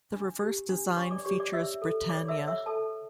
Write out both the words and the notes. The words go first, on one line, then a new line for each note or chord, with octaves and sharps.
The reverse design features Britannia.
D4
G4
D4
D4 C#5 C#6
D5 D6
G4 C#5 C#6
D5 D6
C#5 E5 E6
A4
C#5 D5 D6
E5 E6
C#5
E5 E6
A4 A5